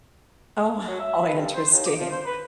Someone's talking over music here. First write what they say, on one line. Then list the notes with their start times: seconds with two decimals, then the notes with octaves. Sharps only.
Oh, how interesting
0.87 F#3
0.99 E5
1.24 B4
1.36 G2
1.55 C5
1.71 D#2
1.86 D6
1.99 F3
2.11 C5
2.25 B4